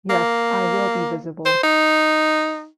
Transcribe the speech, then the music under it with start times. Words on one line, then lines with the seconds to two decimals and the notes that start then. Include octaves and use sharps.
Yes, I will be visible.
0.10 A#3
1.45 C5
1.63 D#4